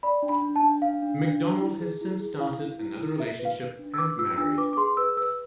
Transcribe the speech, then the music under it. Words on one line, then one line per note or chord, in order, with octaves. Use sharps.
MacDonald has since started another relationship and married.
D5 B5
D4
B5
D4
A5
D4
D4 F5
D4
D4
D4
E4
G#4
E4
G#4
E4 F5
E4
E4
E4
F4 E5
B4
F5
B4
D4
E6
B4 D6
F4 E6
D4 E6
B4 D6
D6
G#4 C6
B4 E6
B4 E6